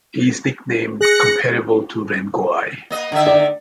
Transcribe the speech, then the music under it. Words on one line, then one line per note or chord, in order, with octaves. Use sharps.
He is nicknamed "Comparable to Rengui".
G#4 F#6 A#6 C#7
A#3 D#5
D3 D#3 E5
D5